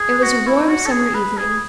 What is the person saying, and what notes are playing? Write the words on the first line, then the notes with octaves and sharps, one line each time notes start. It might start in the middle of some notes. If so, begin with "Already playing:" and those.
It was a warm, summer evening.
Already playing: G#4
F#4
E4
F#4
A4
G#4
B4
G#4